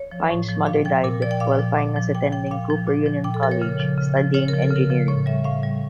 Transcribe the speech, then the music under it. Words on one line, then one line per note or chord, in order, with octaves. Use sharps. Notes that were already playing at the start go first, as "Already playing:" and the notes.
Fine's mother died while Fine was attending Cooper Union college, studying engineering.
Already playing: C#5
F3
A2
F3
A#2 F5
F3 G5
A#2 A#4
F3 D5
G5
A#2 F5
F3
A#2
F3
A#2 G5
F3 G5
G5
A#2 F5
F3
A#2
F3
A#2 G5
A4
F3 A#4
C#5
C#3
F3
C#3
F3
C#3 C#5
A#4
F3
A4
C#3 A#4
F3
A2 C#5
G3 E5
A2 F5
G3